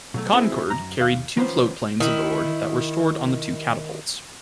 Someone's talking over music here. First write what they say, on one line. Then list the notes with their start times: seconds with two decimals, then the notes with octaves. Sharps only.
"Concord" carried two floatplanes aboard that were stored on the two catapults.
0.14 B2 F#3 A3
0.32 B3 C4 E4 F#4 G#4
0.68 F#2 A#5
1.00 D#2 F5
1.37 D#3 F3 B3 C#4 A4 C5
2.00 D#3 E4